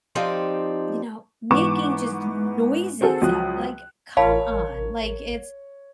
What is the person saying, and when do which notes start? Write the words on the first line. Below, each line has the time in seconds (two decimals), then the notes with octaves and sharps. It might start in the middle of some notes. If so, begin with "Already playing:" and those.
m you know, making just noises out like, come on, like, it's
0.15 F3 C4 D#4 G4 D5
1.51 G#2 E3 B3 C#6 D6 E7
3.01 C4 F#4 G#4 A4
3.22 C#2 F3 F#3 D#6 F#6
4.17 A1 A#4 C#5 F5 A5 B5